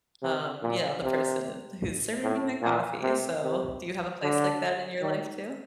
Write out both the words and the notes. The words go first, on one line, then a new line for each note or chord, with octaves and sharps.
um, you know, the person who's serving me my coffee, so do you have a place like that in your life too?
C3
A#2
C3
A2
A#2
C3
C3
D3
D#3